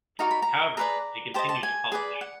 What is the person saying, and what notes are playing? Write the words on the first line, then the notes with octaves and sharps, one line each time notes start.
However, it continued to publish.
D#4 F#4 A#4 D5 A#5
B5
A#5
G#4 B4 D5 A#5
G4 C5 D#5 A5
A5
G#5
G#4 B4 D5
F#5